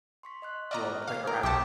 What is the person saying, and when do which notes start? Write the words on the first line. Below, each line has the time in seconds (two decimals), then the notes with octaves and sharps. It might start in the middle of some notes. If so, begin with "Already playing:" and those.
you won't play around.
0.23 C6 C#6 B6
0.42 D#5 C6 F#6
0.71 D5 D#5 A#5 C#6 F6
1.07 F5
1.27 A#4
1.43 B1 G4 C5 A5 C#6 D#6